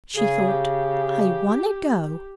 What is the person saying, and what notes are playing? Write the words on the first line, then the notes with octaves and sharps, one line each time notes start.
She thought, 'I wunna go.
C#3 G#4
G4